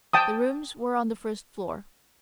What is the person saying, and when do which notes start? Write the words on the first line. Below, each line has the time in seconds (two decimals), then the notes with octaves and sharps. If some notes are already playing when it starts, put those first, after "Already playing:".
The rooms were on the first floor.
0.13 G5 A5 D#6